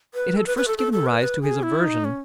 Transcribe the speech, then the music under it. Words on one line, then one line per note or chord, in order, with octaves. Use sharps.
It had first given rise to his aversion.
B4
A4
B4
B4
A4
A4
A4
B4
B4
G#4
E4
D#4
C#4